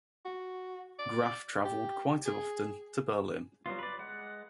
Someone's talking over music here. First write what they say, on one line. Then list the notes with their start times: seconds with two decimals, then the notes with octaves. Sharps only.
Graff travelled quite often to Berlin.
0.25 F#4
0.99 D5
1.65 G4
2.26 G#4
3.66 F#3 G3 B3 F4
3.79 B4 D5
3.98 G#3 F#5